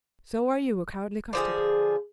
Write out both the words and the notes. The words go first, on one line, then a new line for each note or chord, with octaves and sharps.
"So are you a cowardly custard."
D3 F3 G#4